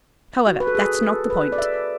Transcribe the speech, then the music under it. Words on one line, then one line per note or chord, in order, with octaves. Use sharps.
However, that's not the point.
F#4
B4
A4
G#4
A4
B4
D5
E5